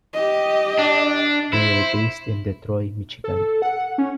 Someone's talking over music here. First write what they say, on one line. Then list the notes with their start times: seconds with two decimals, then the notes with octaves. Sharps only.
They were based in Detroit, Michigan.
0.13 G4 D#5
0.79 D4
1.53 E4 C5
3.24 A4
3.62 F#5
3.98 C#4